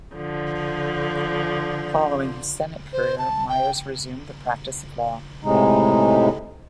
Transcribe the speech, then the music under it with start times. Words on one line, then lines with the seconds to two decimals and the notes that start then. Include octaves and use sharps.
Following his Senate career, Myers resumed the practice of law.
0.16 D3 F3
2.93 C5
3.18 A5
3.49 G5
5.44 A2 C3 G#3 D#4